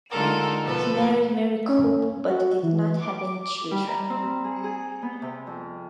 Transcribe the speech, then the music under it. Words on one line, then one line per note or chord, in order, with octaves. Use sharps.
He married Mary Cope but did not have any children.
D3 G#3 D#4 F4 A4 A#4
B2 F3 A4 B4
C#4
F#4
E3
D6
G3
A#5
C4
G3
G#4
G#4
B3
C3
F2